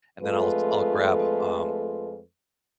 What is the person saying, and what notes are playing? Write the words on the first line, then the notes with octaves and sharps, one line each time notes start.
and then I'll I'll grab, um,
F2 G#3 A3 F4 A4 B4